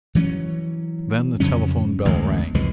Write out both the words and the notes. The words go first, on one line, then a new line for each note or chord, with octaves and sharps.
Then the telephone bell rang.
E3 F#3 A3 C#4
F2 C#3 F#3 C#4
A1 D2 E3 G#3
C2 F2 E3 G#3